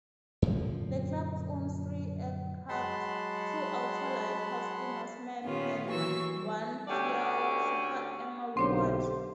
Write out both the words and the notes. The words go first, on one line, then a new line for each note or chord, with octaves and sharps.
The club owns three aircraft, two ultra-light Husky Norseman and one Piel Super Emeraude.
F#2 A#2 D3 F3
F#3 G#3 F#5 A5 B5 C6
A#2 D#3 B3 C#4 F4 G4
E3 F#3 A#3 C#6 E6
G3
D2 D3 C#4 G4 D5
B1 D3 C4 D4 G4 C5 C#5 C6